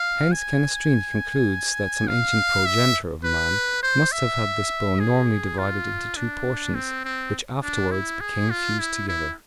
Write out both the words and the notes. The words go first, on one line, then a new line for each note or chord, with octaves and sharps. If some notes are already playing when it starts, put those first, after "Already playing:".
Hence Canestrini concludes that some ancient progenitor of man must have had this bone normally divided into two portions, which afterwards became fused together.
Already playing: F5
G#5
F5
E5
B4
C5
E5
G#4
F4
D4
C4
C4
D4
E4
G#4
F4
E4
E4